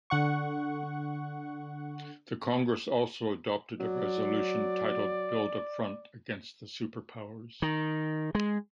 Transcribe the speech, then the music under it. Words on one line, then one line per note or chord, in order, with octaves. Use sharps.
The congress also adopted a resolution titled 'Build a front against the Super Powers'.
D3 F#5 C#6
F#3 D5
D#3
G#3